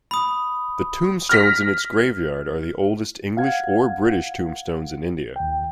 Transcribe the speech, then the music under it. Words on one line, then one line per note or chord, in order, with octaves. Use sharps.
The tombstones in its graveyard are the oldest English or British tombstones in India.
B5 D#6
F6 A#6 B6
F5 F#5 G#6
D#2 G5